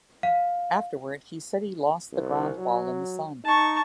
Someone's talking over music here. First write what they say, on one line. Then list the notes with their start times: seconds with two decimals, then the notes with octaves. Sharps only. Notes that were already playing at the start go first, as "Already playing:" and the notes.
Afterward, he said he lost the ground ball in the sun.
0.23 F5
2.12 C2
2.57 F#3
3.44 D#4 A5 C#6